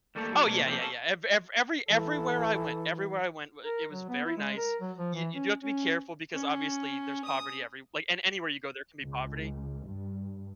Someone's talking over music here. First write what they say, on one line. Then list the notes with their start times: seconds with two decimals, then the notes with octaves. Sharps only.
oh yeah, yeah, yeah, ev ev every everywhere I went everywhere I went, w it was very nice. You you do have to be careful, because obviously, there's poverty everywh like, and anywhere you go, there can be poverty,
0.15 D#2 G3 A3 A#3 A4
0.33 F#3
0.46 B2 A3 A#3 D4 G#4
0.65 C3 F3 A#3 C4 D4
0.78 A#3 C#4 A4
1.89 E3 A4
3.65 A#4
3.92 F#3
4.09 B3
4.25 E4
4.37 G#3
4.57 A#4
4.81 F#3
4.98 F3
5.15 E3
5.34 C#4
5.62 C#4
6.34 C#4
7.25 D#6
9.01 C#2
9.86 G2